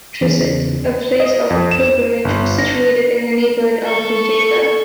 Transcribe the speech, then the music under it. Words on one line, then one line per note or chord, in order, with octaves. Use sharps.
Trsat, a place of pilgrimage, was situated in the neighbourhood of Rijeka.
E2 C#3
D#5
F2
E7
G1
A#6
A4 C#6